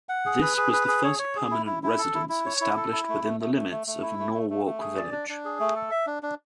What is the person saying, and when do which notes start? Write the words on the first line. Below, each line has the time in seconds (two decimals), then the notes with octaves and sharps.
This was the first permanent residence established within the limits of Norwalk Village.
0.09 F#5
0.26 G#4
0.42 B4
0.57 G#4
0.73 B4
0.88 G#4
1.04 C#5
1.19 C#5
1.36 G#4
1.51 E4
1.66 E4
1.83 E4
1.98 A4
2.14 E4
2.29 E4
2.46 C#5
2.61 E4
2.77 A4
2.92 E4
3.09 A3
3.24 A3
3.40 A3
3.55 A3
3.71 A3
3.87 A3
4.02 E4
4.19 A3
4.34 A3
4.50 A3
4.66 A3
4.81 G#4
4.97 D5
5.12 D4
5.29 D4
5.45 G#4
5.60 A3
5.76 A4
5.91 E5
6.06 D4
6.23 D4